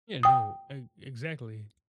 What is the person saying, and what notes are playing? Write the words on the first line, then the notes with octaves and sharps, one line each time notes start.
Yeah, no, e exactly.
G5 D#6